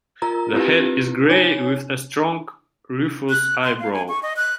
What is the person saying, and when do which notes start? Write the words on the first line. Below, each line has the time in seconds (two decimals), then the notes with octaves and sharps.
The head is grey with a strong rufous eyebrow.
0.22 F4 A#4 A#5
0.53 C4 E4 F4 G4 B4
1.29 D#4 C#5 G#5
3.30 F#6
3.64 C6
3.80 F5
3.93 G#5
4.08 C#6
4.23 D#5
4.37 F#6